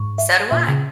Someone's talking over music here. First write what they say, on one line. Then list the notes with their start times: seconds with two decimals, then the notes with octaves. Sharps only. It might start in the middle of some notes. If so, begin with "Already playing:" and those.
So do I.
Already playing: G#2 C#6
0.18 E5
0.51 A#2 E5
0.68 C#3